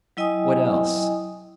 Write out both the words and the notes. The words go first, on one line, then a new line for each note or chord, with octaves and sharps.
"What else?"
F#3 E4 D#5 G5 G#5 D#6